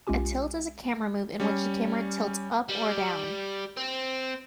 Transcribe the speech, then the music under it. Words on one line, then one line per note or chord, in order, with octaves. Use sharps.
A tilt is a camera move in which the camera tilts up or down.
B1 G#3 C#4 F4 G4 G#5
G3 C#4
G3
C4